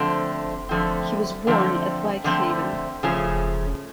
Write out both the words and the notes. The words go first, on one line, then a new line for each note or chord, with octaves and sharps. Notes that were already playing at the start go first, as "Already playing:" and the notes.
He was born at Whitehaven.
Already playing: D3 F3 A3 C4
D3 F3 A3 C4
D3 F3 A3 C4
D3 F3 A3 C4
C#3 F3 A3 C#4